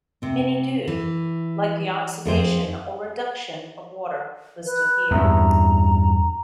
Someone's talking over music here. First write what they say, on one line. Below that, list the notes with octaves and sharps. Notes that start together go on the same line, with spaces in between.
Many do, like the oxidation or reduction of water listed here.
C3 C4
E3
F2 G#4 C5 G#5
B4
E2 G2 A#5